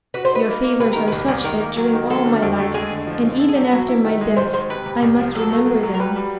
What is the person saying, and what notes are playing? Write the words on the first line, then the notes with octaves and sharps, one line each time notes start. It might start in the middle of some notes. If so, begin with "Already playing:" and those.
Your favours are such that during all my life, and even after my death, I must remember them.
F#4 B4
C5
D#4 B4
A#3
A#3
C3 B4
D#3 A#4
C2 B4
C2
D#3 A#4
A#3
F#3
D#3
F#3 A4
D3
F2
A3
G#3 G#4
D3
F3
F3
A4
G#4
F#3 G4
F#4
F#3
E4
D#3
G#3
G#2 C5
G#2 C5
C3 B4
C3
C2
F3
F#3 A4
A3
F#3
F#3
A#4
G3 B4
G3